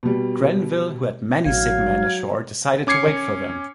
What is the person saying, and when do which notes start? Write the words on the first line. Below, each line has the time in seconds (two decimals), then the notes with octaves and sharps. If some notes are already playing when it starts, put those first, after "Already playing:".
Grenville who had many sick men ashore decided to wait for them.
0.03 B2 G3
1.46 A1 F#3 F5 G#6
2.87 C#4 D6 G#6 C7 C#7